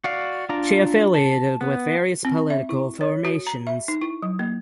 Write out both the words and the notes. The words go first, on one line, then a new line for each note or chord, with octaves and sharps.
She affiliated with various political formations.
F#4 D5 F5
D4 F4 D5 A#5
A5
B3
C4
E5
E4
C#5
F#4
A#5
E5
D#4
E4
F#3
A#3